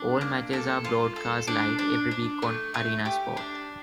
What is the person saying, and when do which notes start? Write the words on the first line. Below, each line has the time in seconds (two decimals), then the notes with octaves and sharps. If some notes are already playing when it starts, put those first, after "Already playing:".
All matches are broadcast live every week on Arenasport.
Already playing: D4
0.21 A#3
0.53 A4
0.85 F4
1.16 A4
1.47 D4
1.79 D4
2.11 D4
2.42 A3
2.74 A3
3.05 G4
3.37 D4